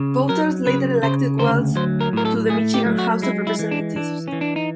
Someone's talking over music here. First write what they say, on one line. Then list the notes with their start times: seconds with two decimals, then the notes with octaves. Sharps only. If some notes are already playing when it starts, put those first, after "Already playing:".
Voters later elected Wells to the Michigan House of Representatives.
Already playing: C#3
0.29 F#3 A#4
0.66 C#3 B4
1.03 C#3 C5
1.39 D2 C5
1.76 F#3 C5
2.01 A#4
2.13 A2 A#4
2.25 A4
2.49 A3 G#4
2.74 G4
2.86 F#3
2.99 F#4
3.22 G#3 E4
3.47 E4
3.59 E3
3.71 D4
3.96 E3 D4
4.28 E3 C#4
4.41 D4
4.56 D#4